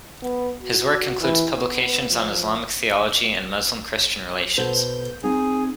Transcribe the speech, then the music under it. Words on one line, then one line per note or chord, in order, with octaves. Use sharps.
His work includes publications on Islamic theology and Muslim-Christian relations.
B3
F#4
E3
B3
F3
B2 A4 C5 G6
C4 D#4 G#4